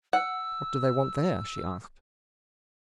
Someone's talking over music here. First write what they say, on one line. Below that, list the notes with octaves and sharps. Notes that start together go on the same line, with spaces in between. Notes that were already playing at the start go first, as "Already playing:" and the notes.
"What do they want there?" she asked.
F#5 E6